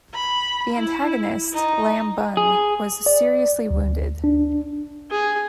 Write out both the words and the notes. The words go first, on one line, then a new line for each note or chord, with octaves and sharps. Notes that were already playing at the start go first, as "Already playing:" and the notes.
The antagonist, Lam Bun, was seriously wounded.
B5
E4
D#4
G#4
D5
D2
D4
G#4